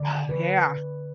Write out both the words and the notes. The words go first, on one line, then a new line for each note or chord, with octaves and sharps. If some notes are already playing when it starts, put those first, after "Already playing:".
Oh, yeah.
Already playing: D3 G#3 D5
B4